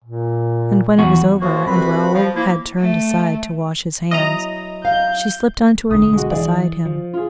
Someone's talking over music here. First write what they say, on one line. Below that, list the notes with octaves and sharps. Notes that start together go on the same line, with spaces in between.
And when it was over and Raoul had turned aside to wash his hands, she slipped on to her knees beside him.
A#2
E2 F#4
A2 F3 A#3 F4 F#4
C2 F2 C4 F#4 B4 B5
F3
F3 A#3 E4
A3
F#3 E4 D#5 A#5 D#6
F5 G6
B1 G#2 D3 D#6
G#3 F#4
E3 G#4 D5
F3
F4 G#4